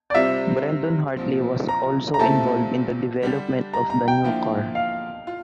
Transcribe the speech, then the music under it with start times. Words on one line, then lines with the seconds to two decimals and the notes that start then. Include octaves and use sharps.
Brendon Hartley was also involved in the development of the new car.
0.10 D5
0.14 C3 G3 C4 F4 E5
1.17 A#2 F3 C4
1.69 A#5
2.14 A#5
2.19 A#2 A3 C4 E4 G4 A5
3.22 D3 G3 D4 G4
3.74 A#5
3.90 A#5
4.08 G5
4.24 D3 F3 A#3 E4
4.75 F5
5.27 F4